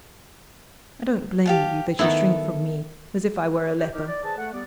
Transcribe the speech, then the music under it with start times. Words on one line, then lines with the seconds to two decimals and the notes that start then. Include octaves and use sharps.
I don't blame you that you shrink from me as if I were a leper.
1.46 G4 F5 A5
1.99 D#3 B3 E4 A4
3.78 D#2 G4 C#5 E5 G5
3.93 D#4 F#4 G4 A#4
4.07 D5
4.24 G#4 B4 C5 D5 A5
4.38 A3 F#5
4.52 G3 B3 D5